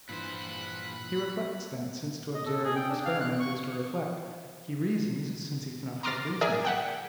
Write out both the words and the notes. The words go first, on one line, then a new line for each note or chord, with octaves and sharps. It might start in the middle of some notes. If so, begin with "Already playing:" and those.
He reflects, then, since to observe and experiment is to reflect; he reasons, since he cannot help reasoning.
G2 A#2 E3 C5 B5 F#6
D#5
A4
G#4
G5
D4
F5
F#6
C#6
A#5 C6 D6 F6 A6 A#6
G#4 A#4 D5 E5 G#5
E5 F#5 G5